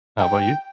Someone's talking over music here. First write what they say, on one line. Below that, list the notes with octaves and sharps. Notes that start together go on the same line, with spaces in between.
How 'bout you?
G5